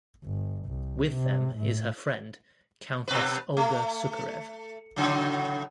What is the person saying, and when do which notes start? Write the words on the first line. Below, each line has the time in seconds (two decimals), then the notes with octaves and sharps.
With them is her friend, Countess Olga Sukarev.
0.24 G1
0.65 C2
1.09 C3
1.56 A2
3.08 B2 B4
3.57 A3
4.96 A2 C#3 F#3